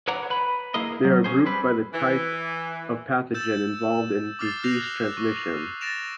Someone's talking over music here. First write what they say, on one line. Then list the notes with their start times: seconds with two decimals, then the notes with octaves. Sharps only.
They are grouped by the type of pathogen involved in disease transmission.
0.08 B4 C#5 D5 F#5 A#5
0.30 B4 B5
0.74 A#3 E4 G#4 A#4 D#5
1.05 F#3
1.24 C#4 G#4 C5
1.46 G3 C4 B4
1.94 E3
3.34 E6 G6 A6 E7
4.39 D6 D#6 F6 A6 C7
4.63 E6 F#6 G6 A#6 C7 F7
5.17 C#6
5.81 A6 A#6 D7 E7 F7